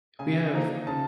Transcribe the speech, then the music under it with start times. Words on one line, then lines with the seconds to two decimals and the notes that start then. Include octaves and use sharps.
We have
0.19 C#3 G#5
0.53 F3 A#3 D#4
0.87 C#3 A5